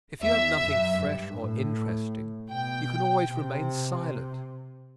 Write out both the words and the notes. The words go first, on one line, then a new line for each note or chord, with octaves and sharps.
If you have nothing fresh or interesting you can always remain silent.
E2 E5
F#2
G2
A2
B2 G5
C3